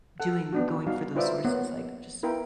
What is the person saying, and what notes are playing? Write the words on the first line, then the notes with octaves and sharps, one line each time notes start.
doing going for those sources, like just
A4 F#5
B3 D4 F#4
G3 D#4 F#4 F5
D#4 F4 B4 C5 D5 E5
A#3 B3 B4 C#5 F#5
B3 E4 A#4 B4 F5 G5